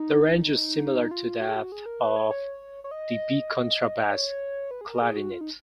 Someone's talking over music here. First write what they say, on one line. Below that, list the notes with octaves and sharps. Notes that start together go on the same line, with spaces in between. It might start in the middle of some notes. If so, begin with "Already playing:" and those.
The range is similar to that of the B contrabass clarinet.
Already playing: D#4
F4
F#4
G#4
F#4
G#4
A#4
B4
C#5
C#5
C#5
D#5
C#5
B4
G#4
A#4
G#4
F#4
F4
D#4